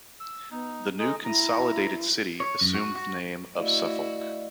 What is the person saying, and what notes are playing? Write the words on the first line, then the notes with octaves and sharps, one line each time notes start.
The new consolidated city assumed the name of Suffolk.
E6
B3 D#4
G#3 D#4 A4 D#5
E4 A#5
C#5
F#2
F#4
F#4
A3 E4 F#4 D5 D#5 F5